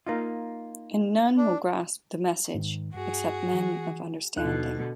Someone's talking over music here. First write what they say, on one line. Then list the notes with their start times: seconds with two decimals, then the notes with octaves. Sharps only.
And none will grasp the Message except men of understanding.
0.07 A#3 D#4 F4
1.37 D4
2.54 G#2 D#3
2.94 G2 F#4 G#4
3.54 E3
4.37 D#2 B2 D3 D#4 F#6